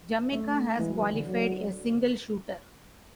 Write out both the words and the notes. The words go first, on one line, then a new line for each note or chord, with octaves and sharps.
Jamaica has qualified a single shooter.
A3
E3 G#3
F#3
E3
D3
F#3